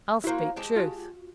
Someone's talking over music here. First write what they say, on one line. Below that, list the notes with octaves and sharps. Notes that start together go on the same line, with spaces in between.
I'll speak truth.
A#3 E4 F#4 C5
G#3 G4 A5
F4 F#4